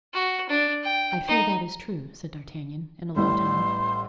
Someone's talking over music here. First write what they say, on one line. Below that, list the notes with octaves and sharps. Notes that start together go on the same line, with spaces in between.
"I fear that is true," said D'Artagnan, in a low tone.
F#4
D4
G5
D#4
A1 A2 G3 C6